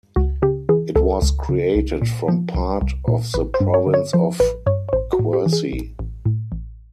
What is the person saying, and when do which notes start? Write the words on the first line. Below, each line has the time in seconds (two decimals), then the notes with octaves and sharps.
It was created from part of the province of Quercy.
0.16 C#2 F#4
0.42 C#3 G4
0.69 E3 G#4
0.96 C#2 A4
1.22 C#2
1.49 C#3
1.75 C2
2.02 A#2
2.28 F3
2.55 C2
2.81 C2
3.08 A#2
3.34 A1 B4
3.54 C5
3.60 G2
3.74 C#5
3.87 D3
3.94 C#5
4.13 F3 C5
4.40 A1 B4
4.66 G2 C#5
4.89 C#5
4.93 A1 C5
5.13 F#4
5.19 A2
5.33 G4
5.46 E3
5.53 G#4
5.73 A1
5.99 A1
6.25 A2
6.52 A1